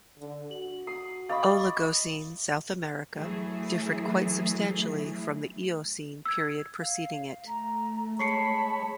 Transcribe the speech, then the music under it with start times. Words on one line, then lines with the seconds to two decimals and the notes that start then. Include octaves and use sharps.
Oligocene South America differed quite substantially from the Eocene period preceding it.
0.18 D3
0.51 F#4 F#7
0.87 D#6 C7
1.29 D5 D#5 F5 B5 C#6
3.15 E3 F#3 A3 E4 G#4
6.25 E6 G#6
6.79 F5
7.48 A3 A#5
8.19 G#3 C#5 A5 B5 C#6 C7 C#7